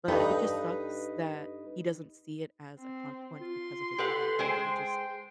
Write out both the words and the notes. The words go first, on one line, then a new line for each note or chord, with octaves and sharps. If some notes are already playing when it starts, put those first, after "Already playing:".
but it just sucks that he doesn't see it as a consequence because of his behavior, he just,
G2 D#4 A4 B4
C4
F4 C6
G4 A4 B4 F#5
G#3 G#4 C5 G5